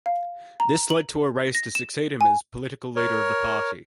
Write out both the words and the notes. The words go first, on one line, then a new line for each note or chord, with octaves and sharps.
This led to a race to succeed him as Political Leader of the party.
F5
A#5
F#7
A#6
E7
G#5
A#4 C#5